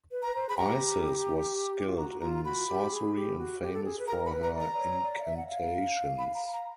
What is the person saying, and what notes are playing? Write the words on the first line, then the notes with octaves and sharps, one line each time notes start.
Isis was skilled in sorcery and famous for her incantations.
B4
B4 A#5
C5
G#4 B5
G4 A#5
F4
F#4 A#5
F4 A#5
F#4 B5
G4
G#4
G4
F#4
G4
A4
G#4
B4
A#4 A#5
A#4 B5
B4
A#5
D5
A#5
C#5
D5
F5
E5
F#5
F5
B5
A#5
A#5